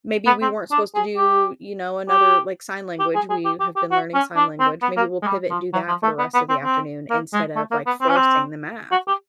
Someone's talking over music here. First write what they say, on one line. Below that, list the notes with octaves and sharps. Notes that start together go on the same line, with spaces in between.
maybe we weren't supposed to do, you know, another like, sign language, we have been learning sign language. Maybe we'll pivot and do that for the rest of the afternoon instead of, like, forcing the math.
B3
C4
D4
G#4
G4
G4
G4
G#4
G#4
G4
G4
G4
F#4
C#4
D4
C4
B3
A#3
G#3
G3
F3
F#3
F3
A3
B3
B3
C4
C4
A#3
G#3
A3
A#3
B3
C4
C#4
C4
F#4
G4